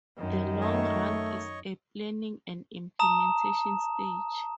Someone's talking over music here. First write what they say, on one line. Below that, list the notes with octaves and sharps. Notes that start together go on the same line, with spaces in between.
The long run is a planning and implementation stage.
F#2 D#3
A3 C#5 D#5 C#6
A5 A#5 D#6 E7